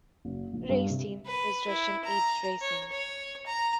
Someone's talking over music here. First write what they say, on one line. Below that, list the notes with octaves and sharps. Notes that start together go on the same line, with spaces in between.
Race team was Russian Age Racing.
F#1
A#1
G2
C3
B4
E4
A#5
C#5
C#5
A#5